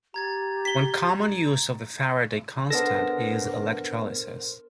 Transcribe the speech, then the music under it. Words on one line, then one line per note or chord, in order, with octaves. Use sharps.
One common use of the Faraday constant is electrolysis.
G4 A#5 G#6 A6
B6 G7
B3 D4 A4 A#4 C5 A#6